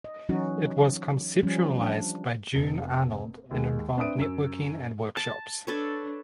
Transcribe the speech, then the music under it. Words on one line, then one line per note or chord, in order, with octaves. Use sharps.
It was conceptualized by June Arnold and involved networking and workshops.
D#5
E3 F#3 C#4 D#4 F#4
F3 G3 C#4
D4
F1
D#2 G#3
C4 D4 B4 E5 D#6 D7
F#2 E6
A5
D4 A4 B4 C#5